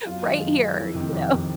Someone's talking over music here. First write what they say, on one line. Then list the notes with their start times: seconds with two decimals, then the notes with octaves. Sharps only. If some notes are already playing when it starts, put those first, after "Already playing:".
right here." You know?
0.06 F#2 F4
0.24 D#3 G#3
0.42 F#2
0.60 D#3 G#3
0.77 F2 E4
0.95 C3 D#3
1.13 F2
1.31 C3 D#3